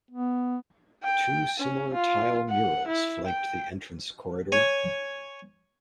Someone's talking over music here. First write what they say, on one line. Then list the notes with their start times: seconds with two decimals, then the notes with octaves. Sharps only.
Two similar tile murals flanked the entrance corridor.
0.11 B3
1.04 G5
1.60 C#4
1.94 F4
2.50 F#5
2.88 E4
3.27 G5
4.52 C#5 G#5